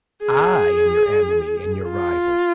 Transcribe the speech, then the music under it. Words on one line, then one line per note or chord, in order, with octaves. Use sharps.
I am your enemy and your rival.
G#4
F4